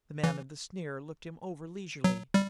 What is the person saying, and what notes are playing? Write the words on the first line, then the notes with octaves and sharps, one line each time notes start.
The man of the sneer looked him over leisurely.
E3
F#3
G3